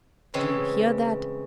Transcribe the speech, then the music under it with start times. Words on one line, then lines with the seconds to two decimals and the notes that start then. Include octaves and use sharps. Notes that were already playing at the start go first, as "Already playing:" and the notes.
Do you hear that?
0.34 A2 C#3 E3 G#3 C4